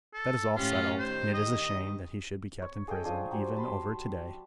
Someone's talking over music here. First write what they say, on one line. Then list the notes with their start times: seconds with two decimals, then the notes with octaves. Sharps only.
That is all settled, and it is a shame that he should be kept in prison even over to-day.
0.14 A4
0.56 A2 C#4 F4 G4
0.99 D#3 G3 C5
1.34 D#5
2.62 C#5
2.88 G#4 A4 D#5 G5
3.03 F3 D4 G#4 D#6
3.31 F#3 G4 C5 G#5
3.56 A5 B5 C6